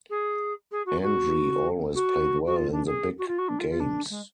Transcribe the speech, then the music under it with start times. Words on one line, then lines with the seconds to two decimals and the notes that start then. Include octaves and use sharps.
Andrie always played well in the big games.
0.10 G#4
0.71 G#4
0.86 F#4
1.02 F#4
1.94 F#4
2.46 F#4
2.56 F4
2.72 D4
2.86 G#4
3.18 F#4
3.27 F4
3.38 F#4
3.48 D4
3.59 F4
3.69 F4
3.80 D4
4.10 G#3